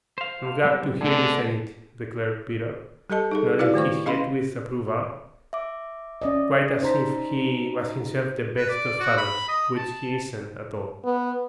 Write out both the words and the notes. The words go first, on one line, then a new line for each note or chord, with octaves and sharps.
"I'm glad to hear you say it," declared Peter, nodding his head with approval quite as if he was himself the best of fathers, which he isn't at all.
C5 F5
B1 G3 C4
B2 D3 A3 G#4
G3 G4 A4 D#5 A5
D#4 G#4 A4
E4 F#4 G4 B4 D5 F5
D#3 A3 C5 C#6
C#4 D#5 F5 B5 C6
E5 D6
C#4 D5 D#5
D#4 C5 A#5 B6
B4
D5
F#4
B5
D#5
A5
B3